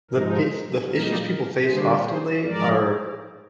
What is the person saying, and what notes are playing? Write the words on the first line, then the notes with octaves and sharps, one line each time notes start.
the p the issues people face oftenly are
G#2 F3 G#3 D#4 A#4
A#2 G3 A#3 D#4 A#4
A#4
D3 G3 A#3 D4 G#4 C5
G#4 C5
G#2 F3 G#3 A#4 D5